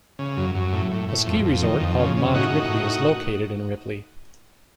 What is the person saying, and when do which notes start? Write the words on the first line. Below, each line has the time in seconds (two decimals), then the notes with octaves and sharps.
A ski resort called Mont Ripley is located in Ripley.
0.19 C#3
0.37 F#2
0.55 F#2
0.73 A2
0.91 A2
1.09 A2
1.27 F2
1.45 F2
1.63 D#3
1.80 F2
1.99 C#3
2.17 C#3
2.34 A2 D#4 F#4
2.52 A2
2.70 A2